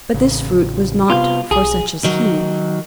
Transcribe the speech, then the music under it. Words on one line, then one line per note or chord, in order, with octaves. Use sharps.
But this fruit was not for such as he.
A1 C#3
C3 B3 F4
B1 G#4
D#3 F#3